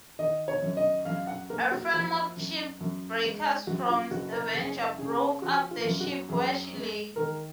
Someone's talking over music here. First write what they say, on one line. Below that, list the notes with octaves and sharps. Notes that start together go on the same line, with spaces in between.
A firm of shipbreakers from Stavanger broke up the ship where she lay.
D#3 D#5
C#5
F#2
D#5
F#2 F5
F#5
A#3 A#4
F#4
F3
F#2
F#2
G#3
F#2 F#4
F4
F#1 F#4
A#4
F#1 G#4
C#3 G#4
F3 F#4
F4
F#2
F#4
F#2 G#4
G#3
D#3 A#4